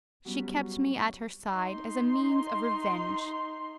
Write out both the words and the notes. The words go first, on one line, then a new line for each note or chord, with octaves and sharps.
She kept me at her side as a means of revenge.
F#3 G3 B3 C#4
D#4 C6